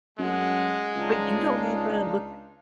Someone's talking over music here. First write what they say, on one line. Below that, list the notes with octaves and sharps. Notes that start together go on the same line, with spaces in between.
But you don't even look at
F#2 G#3 A3 F#5
C#2 C#3 D4 D#4 F4